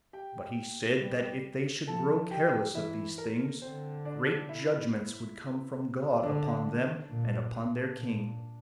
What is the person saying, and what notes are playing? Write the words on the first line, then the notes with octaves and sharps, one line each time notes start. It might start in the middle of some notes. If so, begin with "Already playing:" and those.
But he said, that if they should grow careless of these things, great judgments would come from God upon them, and upon their king.
G4 G5
G3
F3 A4 A5
G4 G5
E3 E4 E5
A#4
D3 C4 C5
D4 D5
E4 E5
D3 D4 D5
A#2
A#2